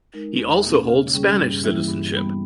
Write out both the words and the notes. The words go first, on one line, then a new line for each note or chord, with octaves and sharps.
He also holds Spanish citizenship.
G#3 D#4 A#4
E2
B2 A#3 C#4
C#3
G3 C#4 G#4
G2
E3 G3 A#3 E4
G2
G3 B3